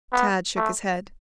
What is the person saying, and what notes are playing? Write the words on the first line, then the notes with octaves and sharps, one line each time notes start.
Tad shook his head.
B3
A3